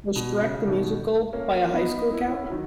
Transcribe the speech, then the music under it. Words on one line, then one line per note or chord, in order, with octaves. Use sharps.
Was Shrek the musical, by a high school, count?
B2
C#3
B2 D#3
A#3 C#4
B3 D#4
E4
C#4 E4
D#3 F#3